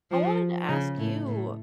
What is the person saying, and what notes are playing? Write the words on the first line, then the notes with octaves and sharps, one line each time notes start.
I wanted to ask you,
F3
C#3
A2
A2